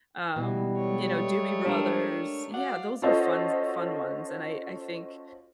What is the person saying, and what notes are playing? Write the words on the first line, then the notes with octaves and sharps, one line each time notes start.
um, you know, Doobie Brothers, yeah, those are funs fun ones, and I I think,
B2 E3 G3
G#3 A3 C#5
D4 G4 A#4
F#4 D5 F5 F#5
C#4 F4 F#4 A4 C5 D#5